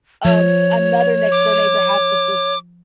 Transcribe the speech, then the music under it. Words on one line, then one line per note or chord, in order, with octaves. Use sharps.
um, another next door neighbor has the sister.
F3 C#5
D6